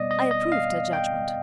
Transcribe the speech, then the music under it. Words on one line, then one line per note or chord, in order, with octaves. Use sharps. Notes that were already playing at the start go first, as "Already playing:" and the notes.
I approved her judgment.
Already playing: B2 G3 B3 D5 D#5
D#5
D#5
F5
G5